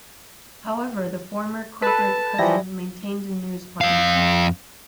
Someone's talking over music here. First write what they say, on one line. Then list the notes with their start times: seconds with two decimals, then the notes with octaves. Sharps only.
However, the former corporate cousins maintained a news partnership.
1.82 A4 B4 A5
2.38 E3 F3 G3 E4 A#6
3.81 F2 F5